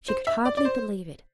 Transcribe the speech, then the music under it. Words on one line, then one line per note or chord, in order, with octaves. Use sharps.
She could hardly believe it.
C5
E5
D5
D5
C5